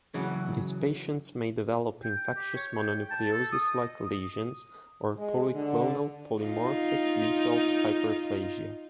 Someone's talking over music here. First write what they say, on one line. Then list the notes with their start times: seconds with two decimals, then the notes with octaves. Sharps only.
These patients may develop infectious mononucleosis-like lesions or polyclonal polymorphic B-cell hyperplasia.
0.14 C#3 E3 F#3
2.03 G5
2.36 G4
2.55 C#5
2.79 G5
3.10 A5
3.31 A4
3.52 D#6
3.74 D#5
4.05 D#6
5.18 G#3
5.55 D3
6.42 D#4 F4